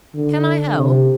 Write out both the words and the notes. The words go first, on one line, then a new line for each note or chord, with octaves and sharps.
"Can I help?"
D3
C3